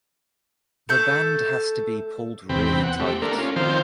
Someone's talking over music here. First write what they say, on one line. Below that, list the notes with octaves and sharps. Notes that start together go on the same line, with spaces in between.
The band has to be pulled really tight.
A3 A4 G6
E2 C3 C4 G5 B5
F#5
A3 C4 G4
A3 A#3 D4 A#4
C#4 F4
D#3 F3 C4 C5 F5 G5